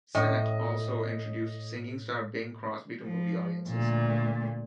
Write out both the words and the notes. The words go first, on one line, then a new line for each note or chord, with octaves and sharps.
Sennett also introduced singing star Bing Crosby to movie audiences.
A2 D#5
F3
D2 A#2